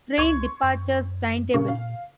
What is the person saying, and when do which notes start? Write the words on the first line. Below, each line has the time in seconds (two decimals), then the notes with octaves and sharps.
Train departures timetable.
0.18 C#2 C6 C#6 G#6
0.63 F#2
1.54 A#2 C#3 A#3 C#6
1.68 F5